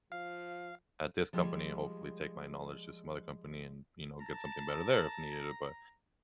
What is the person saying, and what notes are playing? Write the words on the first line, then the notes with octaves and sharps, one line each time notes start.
at this company, hopefully, take my knowledge to some other company and, you know, get something better there if needed. But,
F3 F5
F3 G3 G#3
A5 A#5